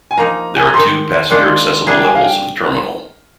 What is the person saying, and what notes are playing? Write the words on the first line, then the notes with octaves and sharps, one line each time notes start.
There are two passenger accessible levels of the terminal.
G#5
F3 A#3 D#4 A#5
G#5
A#5
D#3 G#3 D#4 G4 C6
D#3 G#3 D4 F4
G3 D4 G#4 A#5
G5
G#5
F5
G5